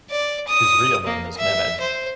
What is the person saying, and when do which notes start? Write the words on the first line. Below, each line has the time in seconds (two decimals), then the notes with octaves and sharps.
His real name is Mehmed.
0.10 D5
0.48 D#6
1.06 A#3
1.37 E5
1.80 C5